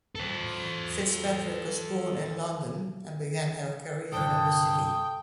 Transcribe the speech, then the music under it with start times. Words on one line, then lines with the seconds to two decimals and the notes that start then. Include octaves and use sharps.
Fitzpatrick was born in London and began her career in the City.
0.15 A4 C5
4.12 C2 G2 D3 A4 G5 D#6